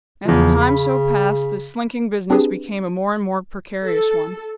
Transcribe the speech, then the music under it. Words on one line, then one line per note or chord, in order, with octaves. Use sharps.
As the time so passed, this slinking business became a more and more precarious one.
E2 C#3 F3
B5
C4 D4 E4 G4 G#4 B4
A4